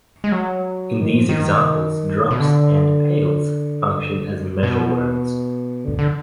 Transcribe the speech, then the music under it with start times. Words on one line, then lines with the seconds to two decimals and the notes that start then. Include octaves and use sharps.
In these examples, "drops" and "pails" function as measure words.
0.24 G#3
0.32 F#3
1.02 D#3
1.15 F3
1.29 D#3
2.31 B2
2.40 D3
4.47 B2
4.54 A#2
4.63 B2
5.85 D3
5.99 D3